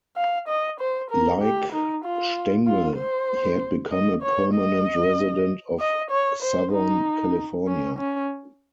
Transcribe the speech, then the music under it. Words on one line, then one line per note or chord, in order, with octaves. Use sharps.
Like Stengel, he had become a permanent resident of Southern California.
F5
D#5
C5
A#4
G4
D#4
F4
F4
C5
D#5
C#5
D#5
D#5
C#5
C5
D#4
C#4
C#4